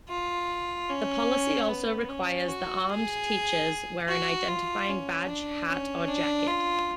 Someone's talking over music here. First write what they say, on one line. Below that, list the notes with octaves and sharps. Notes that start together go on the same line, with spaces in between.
The policy also requires the armed teachers wear an identifying badge, hat or jacket.
F4
C#4
B3
C#4
F#4
G#4
F#4
F4
C#4
D4
C#4
D4
F4